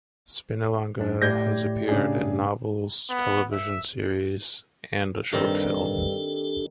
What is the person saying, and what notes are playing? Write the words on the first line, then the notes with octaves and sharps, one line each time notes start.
Spinalonga has appeared in novels, television series, and a short film.
F#2 D4
A2 A3 G4 D5 G6 G#6 A#6
C#3 D4 G#4
B3
E5
G2 D#3 G3 C4 D4 G4 A4